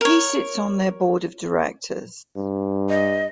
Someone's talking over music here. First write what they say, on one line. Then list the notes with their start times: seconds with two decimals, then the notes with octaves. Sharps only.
He sits on their board of directors.
0.01 A#4 C#5
2.36 G2
2.89 D#5